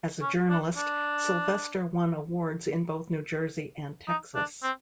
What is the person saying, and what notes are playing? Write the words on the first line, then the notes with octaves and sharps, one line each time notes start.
As a journalist, Sylvester won awards in both New Jersey and Texas.
C#4
D4
D4
D#4
D4
C4